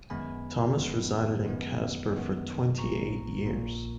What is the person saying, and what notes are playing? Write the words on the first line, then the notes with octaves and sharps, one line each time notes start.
Thomas resided in Casper for twenty-eight years.
F#2 D#3 G#3 B3 G#5 B5
F#2 D#3 G#3 B3
F#2 D#3 G#3 B3
F#2 D#3 G#3 B3
A#1 A#2 A#3 A#5 C#6
A#1 A#2 A#3